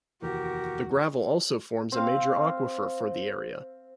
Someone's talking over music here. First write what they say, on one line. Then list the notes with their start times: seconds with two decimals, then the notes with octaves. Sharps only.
The gravel also forms a major aquifer for the area.
0.22 F1 D#2 E3 F#4 G4 A#4
1.92 C4 F5